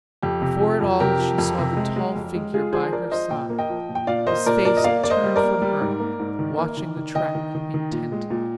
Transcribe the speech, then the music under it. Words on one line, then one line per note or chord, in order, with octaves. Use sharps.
Before it all she saw the tall figure by her side, his face turned from her, watching the track intently.
F2 G4
C3
F3
F2
C3 G4 A#4
F3
F2
C3
G#3
G#3
F2
G#3
G#3 F4 G#4
F3 G#4 C5
F3 A#4 D5
F3 C5 D#5
A#2 G5
A#3
D#5 G5
F3
A#2
G5
A#2 D5 F5
A#3 C5 D#5
A#2 A#4 D5
A#2 A#4 D5
D#5
A#3 D5 F5
A#3 D5
C5 D#5
G3
A#4 D5
A#3
G3
G#2
A#3
G#2
D#3
A#3
D#3
D#3
D#3 D#5 G5
D#3
D#3
D#3
A#2
G#3
A#2